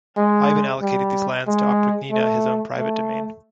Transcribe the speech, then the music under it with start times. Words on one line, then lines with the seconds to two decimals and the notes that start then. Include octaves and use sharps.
Ivan allocated these lands to Oprichnina, his own private domain.
0.17 G#3
0.82 G3
1.47 G#3
2.11 A3
2.78 A3